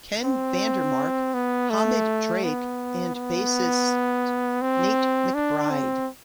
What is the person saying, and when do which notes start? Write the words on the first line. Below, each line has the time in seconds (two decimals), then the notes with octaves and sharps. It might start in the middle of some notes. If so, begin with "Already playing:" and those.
Ken Vandermark, Hamid Drake, and bassist Nate McBride.
0.24 C4
1.34 B3
1.70 A3
2.44 B3
3.15 B3
4.61 C4
5.34 D4
5.70 C4